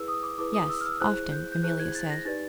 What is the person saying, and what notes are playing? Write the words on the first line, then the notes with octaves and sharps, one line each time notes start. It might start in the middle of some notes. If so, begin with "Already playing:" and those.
"Yes, often," Amelia said.
Already playing: E4 G#4 B4 E6
D#6
D6
E4 G#4 B4 D6
D#6
E6
F6
E6
E4 G#4 C5 F#6
G6
G6
E4 G#4 C5 F#6
G#6
A6
A#6
D#4 G4 B4 D5 A6